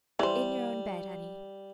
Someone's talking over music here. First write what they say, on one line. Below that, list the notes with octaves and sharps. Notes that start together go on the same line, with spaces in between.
"In your own bed--honey."
E3 G3 C5